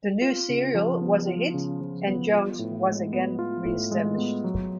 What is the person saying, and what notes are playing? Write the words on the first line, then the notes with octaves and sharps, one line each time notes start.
The new serial was a hit, and Jones was again re-established.
F4
C#3
F3
B3
F4
C#3
F3
B3
F4
A2
G#3
B3
F4
A2
G#3
B3
F#3